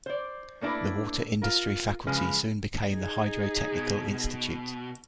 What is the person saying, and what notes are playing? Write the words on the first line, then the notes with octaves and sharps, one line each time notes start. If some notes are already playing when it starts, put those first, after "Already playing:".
The water industry faculty soon became the Hydrotechnical institute.
C5 D5
A3 A#3 D4 E4 B4
F4 A#4
C#3 F3 G#3 B4
D#4 G#4
B2